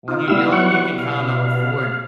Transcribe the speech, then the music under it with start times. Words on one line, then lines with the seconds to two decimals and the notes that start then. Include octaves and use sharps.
When you're young, you can kinda afford
0.08 D#4 F4
0.28 G3 B3 E4 G4 F5 E6
0.52 F#3 F#5 C#6
0.98 B2 F5